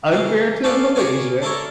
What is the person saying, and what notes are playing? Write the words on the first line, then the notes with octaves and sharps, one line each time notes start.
unfair to Malaysia,
C#3 E3 A#3
B3 C#4 A4 C#5 D5 F5
F#4 G#4 A#4 C#5 D5 G#5
D4 E4 A4 A#4 C#5